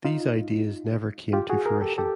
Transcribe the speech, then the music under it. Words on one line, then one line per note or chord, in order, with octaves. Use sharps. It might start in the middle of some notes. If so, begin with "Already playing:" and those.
These ideas never came to fruition.
D#4 F4
F4 G4
F#4 G#4
G#4 A#4
G4 A4
G4 A4